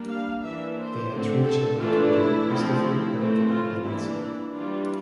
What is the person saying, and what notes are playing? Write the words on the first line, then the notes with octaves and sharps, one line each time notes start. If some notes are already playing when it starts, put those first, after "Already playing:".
They had three children together, Christopher, Erika and Alexa.
Already playing: G3 A#3 D4
F5
E3 A#3 D4 E5
C5
D3 A3 C4
A4
E3 A3 D4 F4
E4
F3 A3 C4
E4
E3 A3 C4
F4
E3 A#3 D4 E4
E4
E3 G3 D4 F4